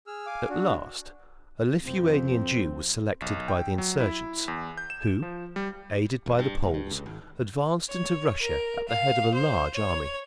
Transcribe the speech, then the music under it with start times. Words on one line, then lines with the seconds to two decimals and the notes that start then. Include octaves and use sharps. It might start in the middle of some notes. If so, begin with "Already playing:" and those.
At last a Lithuanian Jew was selected by the insurgents, who, aided by the Poles, advanced into Russia at the head of a large army.
0.07 G#4 E6 F6
0.26 F5 G#5 D6
0.49 D4 F#4
1.85 E1 F2 B2 C4
3.22 B1
3.48 G5
3.78 F#3
4.00 E4
4.48 E2
4.77 G6
4.90 E7
5.22 F3
5.56 G3
6.26 E1
6.39 G2
6.62 F1
6.74 G2
6.91 C#2
7.06 G#1
7.87 C#5
8.40 A#4
8.88 F5
9.33 C5
9.74 C#5